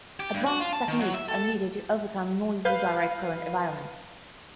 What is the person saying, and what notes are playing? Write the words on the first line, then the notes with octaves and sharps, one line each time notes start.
Advanced techniques are needed to overcome noisy direct current environments.
G4
G2
F#4
F4
A5
D#3
F#3
E5
A4
B4 F5 G6